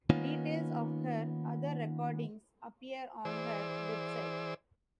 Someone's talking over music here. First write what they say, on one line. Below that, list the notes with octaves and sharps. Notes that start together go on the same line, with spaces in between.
Details of her other recordings appear on her website.
D#3 A#3 B3 C#4 D#4 F4
E3 G#4 C5 D5 E6